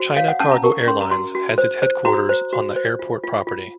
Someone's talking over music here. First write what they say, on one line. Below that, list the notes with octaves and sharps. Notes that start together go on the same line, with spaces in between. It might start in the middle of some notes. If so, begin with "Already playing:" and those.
China Cargo Airlines has its headquarters on the airport property.
Already playing: F#4 C5
C#5 F5
F#5
C#4 A5
A#5
A#4 C#6
C#4 C6
A#5
F#4 C6
F#4
C5
C5
F#4 A#5
C5
F#4
C5
F4
F4
F4